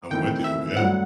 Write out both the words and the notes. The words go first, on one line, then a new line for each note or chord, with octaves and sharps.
I'm with you, yeah.
E2 D#3 A3 C4 E4 G5
E5
G2 F#3 A3 F#5